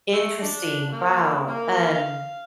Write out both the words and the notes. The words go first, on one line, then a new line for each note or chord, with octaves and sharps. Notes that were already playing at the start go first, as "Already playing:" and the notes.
Interesting. Wow, um
A3
D4
A#3
A#3
F5